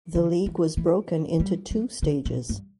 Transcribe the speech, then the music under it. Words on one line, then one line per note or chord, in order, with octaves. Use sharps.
The league was broken into two stages.
D3
E3
E3
G3
F#3
D3
B2
G2